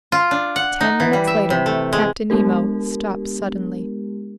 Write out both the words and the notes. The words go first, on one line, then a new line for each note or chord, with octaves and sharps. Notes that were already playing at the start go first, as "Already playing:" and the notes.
Ten minutes later, Captain Nemo stopped suddenly.
F4
D4
F#5
D#4
E3
G3
E5
C3
A3
G#3
G#3 B3 D4 G4 A#4